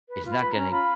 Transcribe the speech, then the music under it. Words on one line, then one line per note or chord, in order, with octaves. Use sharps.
it's not gonna
B4
F4
B5
B4
C#4 A#5
F4 B5